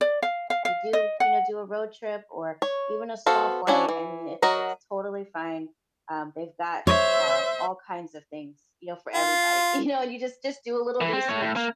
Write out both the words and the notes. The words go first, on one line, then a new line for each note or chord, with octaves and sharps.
If you do, you know, do a road trip or even a small flight, I mean, it's it's totally fine. Um, they've got, uh, all kinds of things, you know, for everybody, you know? You just just do a little research
D5
F5
F5
F5
D#5
F#5
C#5
B3 F#4 A4 C5 F5
C#4 D4 E4 F#4 C#5
E3
F#3 F#4 A#4 D#5 A#5
C5 C#5 E5
F4
E3
C4
A3 C#5
A2
A#3